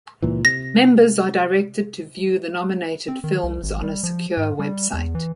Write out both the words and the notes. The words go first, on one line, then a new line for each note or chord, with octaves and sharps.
Members are directed to view the nominated films on a secure website.
C#2 A#2 E3
C3 A#6
C4
D#3
C2
G#1
G3
F3
G#2
G3
E2
E3